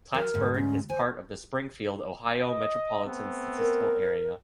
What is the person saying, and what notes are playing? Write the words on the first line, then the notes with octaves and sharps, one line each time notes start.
Plattsburgh is part of the Springfield, Ohio Metropolitan Statistical Area.
F#3 A#4
D2 G#2
C#4
C5 G#5
D#5
A3 B3 C4
A#4